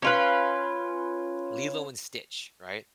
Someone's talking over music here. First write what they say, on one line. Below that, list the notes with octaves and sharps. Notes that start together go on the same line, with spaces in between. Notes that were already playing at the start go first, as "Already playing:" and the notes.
Lilo and Stitch, right?
C#4 F4 B4